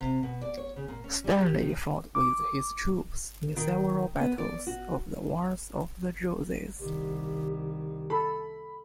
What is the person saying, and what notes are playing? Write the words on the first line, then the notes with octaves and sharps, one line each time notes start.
Stanley fought with his troops in several battles of the Wars of the Roses.
C3
B2
D5
C#5
C#3
A#2
C#4
G3
G4
D#3
D6
D#3
B3
D5
F#4
C2 D#3 G4
A4 B5